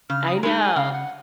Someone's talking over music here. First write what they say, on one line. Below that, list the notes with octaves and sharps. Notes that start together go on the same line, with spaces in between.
I know
C#3 F6
D#6
A#5
G#3 D#4 G#4 B5
G#5
C#3 F5
F#5